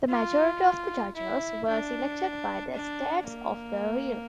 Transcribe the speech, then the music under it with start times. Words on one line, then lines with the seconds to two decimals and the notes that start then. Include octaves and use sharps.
The majority of the judges were selected by the Estates of the realm.
0.09 F4
1.15 E4
1.68 D4
2.74 D4
3.27 A#3